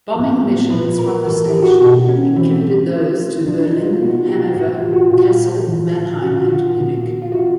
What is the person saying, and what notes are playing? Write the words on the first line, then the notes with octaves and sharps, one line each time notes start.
Bombing missions from the station included those to Berlin, Hanover, Kassel, Mannheim and Munich.
A2 F3
A#2 F3 B4
A#4
A2 E3 A4
G4
F#4
B2 F#4
C#4
A2 E3 C4
A2 F3
C3 F3 D4
D#4
F4
B2 F#4
G4
A2 E3 F#4
F4
F#4
A#2 F3 F4
A2 E3
A#2 F3 F#4
F4
F#4
A#2 F3
F4
C3 E3 F#4